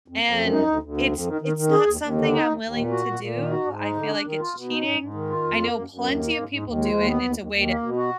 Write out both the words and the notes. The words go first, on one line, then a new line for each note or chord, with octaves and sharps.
and it's it's not something I'm willing to do. I feel like it's cheating. I know plenty of people do it, and it's a way to
F2
F2
F#2
D#4
D2
D2
F2
F2
D#3
D#3
D#3
G#4
D#2
D#2
D3
D#4
D#2
D#2
A#2
F#4
A#2
A#2
D#3
F#4
G#2
D#4
D3
D4
D#3
F4
B2
D#4
G#2
G#2
D#3
F4
F2
A#3
F#2
F#2
D#2
A#3
G#2
G#2
D#2
G#3
D#2
B3
D#2
D#2
D#2
A#3
B2
F#4